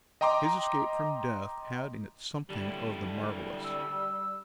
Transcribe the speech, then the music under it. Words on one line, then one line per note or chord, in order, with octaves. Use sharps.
His escape from death had in it something of the marvellous.
D#5 G5 A#5 C6 D6
D3 G3 E4
E6